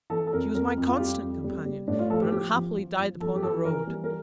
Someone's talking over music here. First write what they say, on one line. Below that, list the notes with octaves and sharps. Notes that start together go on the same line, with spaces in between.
She was my constant Companion; but unhappily died upon the Road.
E3 A4
A4
F2 A#4
F2 A#4
F2
F4
G3 G4
F2
G3
G3
A2 D4
F4
F3 A4
G4
F3 G4
F3
F3
F3
F3 A4
G4
F3 A4
E3 A#4
G3
A#4